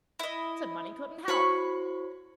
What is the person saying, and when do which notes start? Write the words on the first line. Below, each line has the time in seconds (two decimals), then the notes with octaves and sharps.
Said money couldn't help.
0.19 E4 D#5
1.28 E4 F#4 C5 C#5 B5 C#6